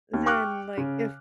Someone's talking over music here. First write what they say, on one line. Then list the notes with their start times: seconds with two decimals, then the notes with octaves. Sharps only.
then, like, if
0.14 D#2
0.26 G5 C#6 D6 F6 F#6
0.78 C#3